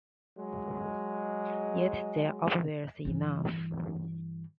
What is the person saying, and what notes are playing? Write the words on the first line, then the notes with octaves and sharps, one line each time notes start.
Yet they are obvious enough.
F#3 G#3
G2 E3